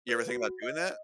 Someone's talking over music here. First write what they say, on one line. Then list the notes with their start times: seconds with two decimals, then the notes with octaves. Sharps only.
You ever think about doing that?
0.09 B4
0.29 F#4
0.62 D#5